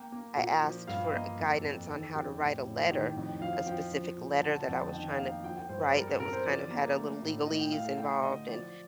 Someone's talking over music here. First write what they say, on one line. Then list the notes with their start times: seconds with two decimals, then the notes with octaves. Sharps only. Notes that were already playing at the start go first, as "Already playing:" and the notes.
I asked for, uh, guidance on how to write a letter, a specific letter that I was trying to wr write that was kind of had a little legalese involved, and
Already playing: A#3 G5
0.12 A#3
0.37 A#2
0.62 F3
0.87 G2 F5
1.13 A#3 D#5
1.39 F2 A4
1.64 F2
1.89 D#3 A4
2.15 F2 G4
2.40 A2
2.65 A2
2.91 D#3 G4
3.16 F2
3.41 F3 F5
3.66 F3 G5
3.92 F3
4.17 A#2
4.43 D3 A5
4.55 A5
4.68 F2 G5
4.81 A5
4.93 D#3 G5
5.10 F5
5.19 A#3
5.27 G5
5.43 F3 G5
5.57 G5
5.69 G2 C5
5.82 D5
5.95 G3 A#4
6.08 A4
6.20 C3 A#4
6.33 C5
6.45 F3 D5
6.71 A#3
6.96 A3
7.22 A2
7.46 A3 D#5
7.59 G5
7.72 A3 F5
7.85 A4
7.97 A3 G5
8.23 D3 D#5
8.48 F3 D5